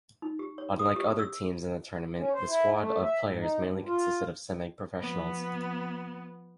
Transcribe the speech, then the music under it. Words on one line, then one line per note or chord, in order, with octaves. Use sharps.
Unlike other teams in the tournament, the squad of players mainly consisted of semi-professionals.
D#4
G4
C#5
D#6
G4
E6
C#4
C5
E4
A3
E5
G#2
D#4
G2
F4
F3 B3